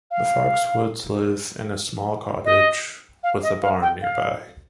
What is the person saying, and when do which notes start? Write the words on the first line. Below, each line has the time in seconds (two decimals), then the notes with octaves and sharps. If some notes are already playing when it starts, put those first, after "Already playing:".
The Foxwoods live in a small cottage with a barn nearby.
0.11 F5
2.45 D#5
3.23 F5
3.43 D#5
3.62 F5
3.82 G5
4.02 F5